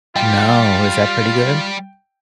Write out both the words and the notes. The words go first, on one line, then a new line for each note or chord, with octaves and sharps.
No, is that pretty good?
G3 F4 G4 G5